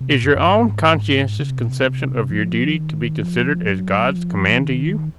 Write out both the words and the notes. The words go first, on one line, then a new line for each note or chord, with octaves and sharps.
Is your own conscientious conception of your duty to be considered as God's command to you?
C3
A#2
F#2
F#2
G#2
C#3
C3
A#2
C3
C3
F3
D#3
F3
F#3
F3
D#3